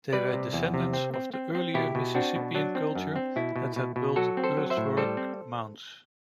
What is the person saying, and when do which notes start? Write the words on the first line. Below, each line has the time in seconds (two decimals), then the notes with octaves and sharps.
They were descendants of the earlier Mississippian culture that had built earthwork mounds.
0.13 G3 B4 D5
0.33 C3
0.53 E2
0.74 C3
0.93 C4
1.14 C4
1.34 C4
1.55 C4
1.74 B2 E4 G4
1.95 B2
2.15 C4 D4 F#4
2.36 B2
2.55 F#3 D4
2.75 C4
2.95 F#2
3.16 C4
3.36 B2 E4
3.56 B2
3.76 B2
3.96 B2
4.16 F#3 F#4 A4
4.37 C4
4.44 A4 C5
4.57 F#3
4.70 C5 E5
4.77 A2
4.97 G3 A4 C5
5.17 C4